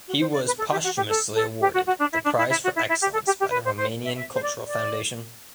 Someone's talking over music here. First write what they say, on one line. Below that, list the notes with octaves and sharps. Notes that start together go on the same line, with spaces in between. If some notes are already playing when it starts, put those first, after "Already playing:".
He was posthumously awarded the Prize for Excellence by the Romanian Cultural Foundation.
F#4
C5
D5
B4
A4
G4
F#4
G4
A4
A4
G4
F#4
F#4
D4
E4
D4
E4
E4
F#4
E4
E4
G4
A4
G4
G4
B4
C5
C5
E5
E5
C5
D5
D5